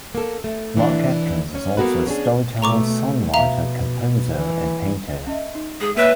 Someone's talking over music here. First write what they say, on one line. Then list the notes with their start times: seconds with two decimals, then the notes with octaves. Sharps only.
Mark Atkins is also a storyteller, songwriter, composer and painter.
0.15 A#3 A4
0.44 A3
0.77 E3 D4
1.55 C#4
1.77 A#3 B3 F#4 A4 B4
2.07 C#4 D4 G#4
2.62 B2 A3 A#5 C#6 D6
3.34 B2 E5 F5 A#5
4.35 E3
5.27 C#4 D#5 E5
5.55 D#4
5.81 G#3 G#4
5.96 A#3 B4 C#5 E5